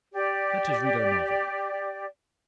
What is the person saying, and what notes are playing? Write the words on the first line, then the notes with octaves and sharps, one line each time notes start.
"Let us read our novel."
G4 D5